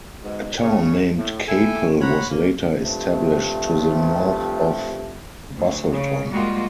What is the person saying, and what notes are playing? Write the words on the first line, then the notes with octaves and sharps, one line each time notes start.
A town named Capel was later established to the north of Busselton.
G#2 B2
C#3 C#5
A2
E4 A4 E5 G5 G#5
C5 C#5 F#5 A#5 B5
A#3 C#4
G2 C3 F3 A3
D2
C#3
G3 G#3 A#3 F4 F#4